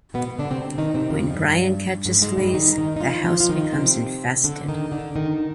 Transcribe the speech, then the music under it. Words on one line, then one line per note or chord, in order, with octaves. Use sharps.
When Brian catches fleas, the house becomes infested.
B2 B3
D3 D4
C3 C4
D#3 D#4
C3 C4
F2 F3
F3
G2 G3
G#2 G#3
G#2 G#3
G2 G3
D#3 D#4
D#3 D#4
D#4
F3 F4
F3 F4
F4
D#3 D#4
C3 C4
D3 D4
D#3 D#4
D3 D4
D#3 D#4